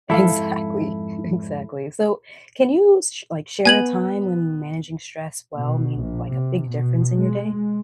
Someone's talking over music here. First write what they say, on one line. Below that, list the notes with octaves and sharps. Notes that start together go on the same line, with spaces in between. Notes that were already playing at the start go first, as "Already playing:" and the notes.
Exactly, exactly. So, can you sh like, share a time when managing stress well made, like, a big difference in your day?
F2 G#2 E4 A4 F5
B3 G#5 G#6 F#7
B2
A#1
C3
B2
G#3